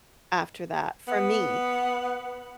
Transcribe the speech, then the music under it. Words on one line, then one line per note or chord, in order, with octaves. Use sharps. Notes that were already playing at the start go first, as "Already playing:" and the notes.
after that, for me.
B3